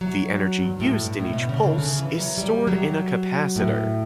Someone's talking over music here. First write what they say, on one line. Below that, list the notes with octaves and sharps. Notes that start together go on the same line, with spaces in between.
The energy used in each pulse is stored in a capacitor.
F#3
G2
A2
G2
A2
B2
C#3
D3
C#3
E3
F#3
G3
F#3
A2